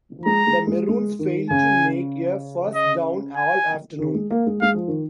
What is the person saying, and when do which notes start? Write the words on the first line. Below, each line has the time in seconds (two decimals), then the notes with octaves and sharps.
The Maroons failed to make a first down all afternoon.
0.19 F3
0.26 G#3 A#5
0.47 G#3
0.67 G#3
0.88 G#3
1.19 D#3
1.50 C#3 G#5
2.75 D#5
3.37 G#5
3.99 D#3
4.14 G#3
4.31 A#3
4.46 G#3
4.62 G#3 F5
4.74 F3
4.88 D#3